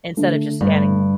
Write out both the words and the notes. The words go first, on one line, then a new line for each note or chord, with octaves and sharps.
instead of just standing
D3 A3 D4
G2 D3 A3 D4